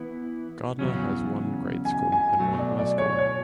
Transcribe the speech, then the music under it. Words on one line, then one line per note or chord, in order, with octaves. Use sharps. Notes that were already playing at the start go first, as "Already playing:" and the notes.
Gardner has one grade school and one high school.
Already playing: E3 B3 E4
E2 C#3 F#3 C#4
G#5
G#5
B2 F#3 A3
D5
D5
C#5
C#5